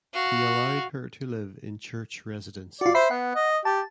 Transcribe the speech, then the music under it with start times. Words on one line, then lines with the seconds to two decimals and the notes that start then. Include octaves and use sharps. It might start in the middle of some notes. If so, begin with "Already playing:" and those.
He allowed her to live in church residences.
0.14 F#4 F5
2.81 F4 F#4 D5
2.94 C5 E5 B5 C7
3.11 B3 F#5
3.35 D#5
3.65 G4 A5